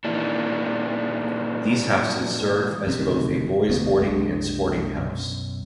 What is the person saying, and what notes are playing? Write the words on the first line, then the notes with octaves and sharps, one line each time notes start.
These houses serve as both a boys boarding and sporting house.
A#2 D#3 E3 D4
F#2 C3
E1 D2 C3 D#3
E1 D2 B2
F#1 C2 G#3 D4
B1 F#2